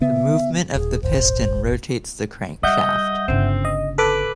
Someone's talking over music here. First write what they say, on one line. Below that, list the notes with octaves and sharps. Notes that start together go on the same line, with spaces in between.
The movement of the piston rotates the crank shaft.
C#3 B3 E5
D#1 G#4
D#1 G#1 C5
G3 D#5 E5 F#5 G6
G1 C#3 C4
D#5
A4 B4 D6